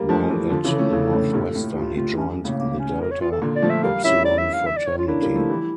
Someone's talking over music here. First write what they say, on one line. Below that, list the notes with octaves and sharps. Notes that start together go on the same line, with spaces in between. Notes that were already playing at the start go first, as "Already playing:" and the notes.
While at Northwestern he joined the Delta Upsilon fraternity.
Already playing: G3 A#3
F3 A3 D4
C#4
E3 G3
E4
D3 F3 F4
C#3 E3
A4
A3 C#4
C#3 E3
A2 C#3
G2 A#2
A2
G2 F4
A2 F4
G2 C#4
C#4
A2 C#3 A#3
A#3
C#4
A#4
C#5
F4
A4
A#2 D3
D5
F3 A3
E5
G3 A#3 F5
C#4 E4 E5
D5
E5
F5
E5
D5
C#5
C#4 F4
A#3 D4 E4
G3 A#3
F3 A3
E3 G3